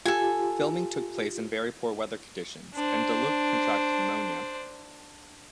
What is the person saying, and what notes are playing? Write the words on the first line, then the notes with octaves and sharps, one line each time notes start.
Filming took place in very poor weather conditions and Delluc contracted pneumonia.
F4 G4 A4 G#5
D4 C5